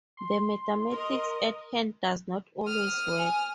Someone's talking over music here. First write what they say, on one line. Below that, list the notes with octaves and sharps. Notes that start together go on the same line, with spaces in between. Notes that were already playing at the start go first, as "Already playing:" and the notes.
The mathematics at hand does not always work.
C6
A#4 D#5
D#6 F6
G#5